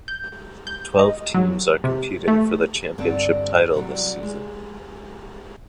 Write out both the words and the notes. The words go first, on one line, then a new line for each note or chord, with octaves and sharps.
Twelve teams are competing for the championship title this season.
G6
G6
D#5
F#3
C3
A3
G2 D3 G3 C4 F#5 A5
C3 F#3 G3
G#3